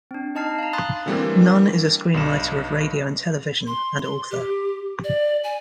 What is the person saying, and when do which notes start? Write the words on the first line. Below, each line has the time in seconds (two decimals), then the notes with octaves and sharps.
Nunn is a screenwriter of radio and television and author.
0.11 C4 D4
0.35 D#4 D#5 A5 F6 C7
0.59 F5 A#5
0.73 B5 C6 D#6 F#6 A6
1.06 D3 E3 G3 A3 A#3 C4
2.14 B1 G2 E7
3.67 C6
4.03 C6
4.31 G4
5.04 D5
5.44 G#5